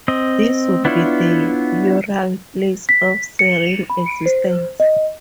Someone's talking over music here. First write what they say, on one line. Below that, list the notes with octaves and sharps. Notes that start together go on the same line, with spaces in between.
This would be the Ural "place of serene existence".
C4 D#5
B3 D4 E4 F4 C#5
B6
C#7
B5
C5
D#5